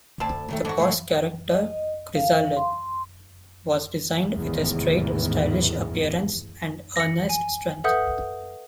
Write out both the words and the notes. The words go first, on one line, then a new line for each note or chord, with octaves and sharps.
The boss character, Krizalid, was designed with a straight, stylish appearance and earnest strength.
D2 C4 A5
F#2 D#3 A3
G#2 D4 F#4
A2 G#3 A3
D#5
F5
C6
A1 E2 G#2 C3 D#3 E3
A#6 C#7
G#5
A4 B4 E5 F#5 D#6 G6